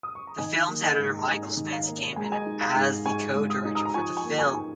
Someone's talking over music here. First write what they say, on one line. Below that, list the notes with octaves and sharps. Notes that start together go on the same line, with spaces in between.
The films editor Micheal Spence came in as the co-director for the film.
D#6
C#6
A#5
D#3 D#5 G#5
A#3
D#5 G#5
G#2
A#5
G#2 D#5 G#5
D#3
F5 A#5
A#3
G#3 G#5
A#5
D#5 G#5
D#4
F5 A#5
G#2
G#2 G#5 C#6
G#3
D#6
D#4
A#5 D#6
A#5
F3 G#5 C#6
G#5 C#6
A#3
G#5 C#6
D#4 G#5